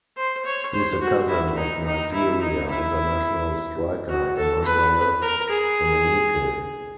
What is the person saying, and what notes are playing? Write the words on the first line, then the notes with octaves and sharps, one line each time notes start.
He is the cousin of Nigeria international striker Emmanuel Emenike.
C5
C#5
C5
F#4
E4
D#4
D#4
E4
D#4
E4
F#4
A4
B4
A#4
G#4